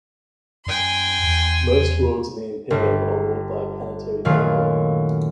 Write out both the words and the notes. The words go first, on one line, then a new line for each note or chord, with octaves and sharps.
Most worlds in the Imperium are ruled by a planetary governor.
F#2 G5 G#5 C6
E2
G1
F#2 A#2 D#3 F#3 A3 F5